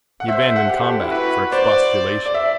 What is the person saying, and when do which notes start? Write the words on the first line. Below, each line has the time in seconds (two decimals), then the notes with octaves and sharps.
He abandoned combat for expostulation.
0.20 F#5
0.28 C5 E5
0.42 E5
0.56 F#5
0.69 G4
0.79 A4
0.90 G4
1.01 E4
1.11 F#4 B4
1.52 C5 D5
2.26 D5
2.34 E5